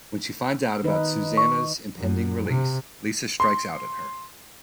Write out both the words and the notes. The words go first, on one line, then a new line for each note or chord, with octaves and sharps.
When she finds out about Susanna's impending release, Lisa strikes out at her.
D#3 D#4 B4
C#6
F#2
C3
C6